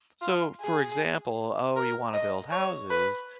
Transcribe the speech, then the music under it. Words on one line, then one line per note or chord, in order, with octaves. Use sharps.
So, for example, "Oh, you wanna build houses,
F4
G#4
A#4
D#5
C#5
B4